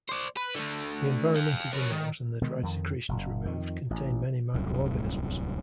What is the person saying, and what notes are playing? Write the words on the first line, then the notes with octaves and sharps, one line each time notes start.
The environment of the nose and the dried secretions removed contain many microorganisms.
C5 D5
B4
D3 A3
F5 G5
A#4 C#5
D#3
B2 D#3 G#3
F2 D#3
F#1
F2 D#3
A1
D1 C2 F#2